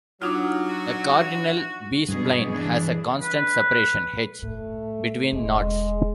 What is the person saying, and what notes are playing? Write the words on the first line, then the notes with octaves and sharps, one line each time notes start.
A cardinal B-spline has a constant separation, "h", between knots.
F#3 D4 D#4 F4
F#4
G2 B2 G3 G#4
E3 D4 G#4
B4
A2 A3
E1 G#3